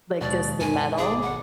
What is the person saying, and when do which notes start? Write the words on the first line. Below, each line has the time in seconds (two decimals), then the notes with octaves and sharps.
Like, just the metal
0.21 D#2 B2 G#3 D5
0.40 D#2
0.61 F#2 G#5
0.98 G#1 G#4 D5 B5 D6
1.22 F#5